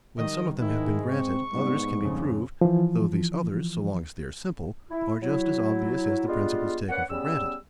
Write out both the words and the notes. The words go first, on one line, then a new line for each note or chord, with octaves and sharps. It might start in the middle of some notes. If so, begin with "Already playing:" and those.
When some of them have been granted, others can be proved, though these others, so long as they are simple, are just as obvious as the principles taken for granted.
D#3 G3 D#5
G#2 D#3 G#3 E4
C4 C#6
G#2 G3 B3
F2 C#3
E3 F3
E4
F#3 E4
G3 G#3 B3 D4 F4
A#3 C#4 B4 C#5 D5 F#5
C#3 G3 B3 C#4 E6